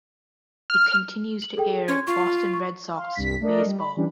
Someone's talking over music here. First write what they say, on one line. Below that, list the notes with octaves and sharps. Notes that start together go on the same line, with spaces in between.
It continues to air Boston Red Sox baseball.
F6
F#7
G#4 A4 G5
C#4 C6 G#6
F4 C#6
C#6
F5 C6
C2 G2 B6
A3 D4 A#4 D#5
G3
B5
E3 G3 C#4 D4